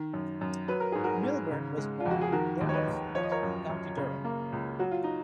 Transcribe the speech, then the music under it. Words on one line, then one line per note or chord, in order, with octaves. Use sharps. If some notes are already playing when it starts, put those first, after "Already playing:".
Milburn was born in Burnopfield, County Durham.
Already playing: D#3
F#2
F#2
F#3 B4
A#4
G#2 G#4
F#4 A#4
G#2
C#3
G#3
F4
F2
F#4
G#4
D#3 F#4 A#4
D#2
C#5
B4 D#5
D#2
F3 C#5
D#5
A#4 C#5
F#2
F#2
C#3
A#3
C#2
F#3 F#4
F4
D#4